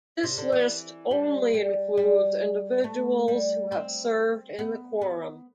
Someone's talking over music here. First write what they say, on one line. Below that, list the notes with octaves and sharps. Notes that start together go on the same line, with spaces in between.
This list only includes individuals who have served in the Quorum.
C3
D3
E3
G3
G3
G3
A3
G3
C4
B3
B3